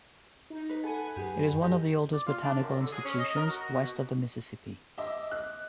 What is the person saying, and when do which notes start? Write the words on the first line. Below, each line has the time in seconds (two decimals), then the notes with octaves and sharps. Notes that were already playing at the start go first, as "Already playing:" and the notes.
It is one of the oldest botanical institutions west of the Mississippi.
0.50 D#4
0.70 B4
0.84 A4 F#5 G#5 B5
1.16 F#2 G4 G#4 B4
1.62 G4 A4 D#5
2.12 D5
2.25 F4
2.41 D4
2.60 F#2
2.79 D3
2.91 G#4
3.04 C#4
3.17 D#5
3.35 A#4
3.47 F#4
3.73 B2
4.98 D#5 E5 D6
5.31 F#6